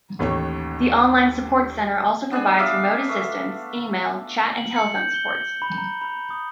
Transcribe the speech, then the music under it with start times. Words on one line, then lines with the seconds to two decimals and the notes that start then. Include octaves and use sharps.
The online Support Center also provides remote assistance, email, chat and telephone support.
0.19 A1 D#2 A4 C#5 C#6
2.31 B3 D4 G#4 G#5
2.58 E5 F5 D6
3.09 A3
4.57 F#7
4.76 C#7
4.96 G6
5.14 G7
5.62 B5
5.77 A#5
6.01 B5
6.30 D#6